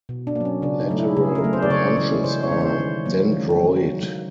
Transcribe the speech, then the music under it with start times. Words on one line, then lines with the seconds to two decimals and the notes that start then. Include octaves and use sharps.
Lateral branches are dendroid.
0.09 B2
0.27 D4
0.35 A#3
0.40 F#3 C#4
0.62 C#3 D4
0.81 D#4
0.90 F#3 A3
0.99 E4
1.17 C#3 G#4
1.35 A#4
1.44 F#3 A3
1.53 C5
1.62 D5
1.70 C#3 C#5
1.97 E3 G#3 C#5
2.24 C#3 C5
2.43 C#5
2.52 E3 G#3
2.61 C5
2.78 D#3
3.05 F#3 A#3
3.32 D#3
3.60 F#3 A#3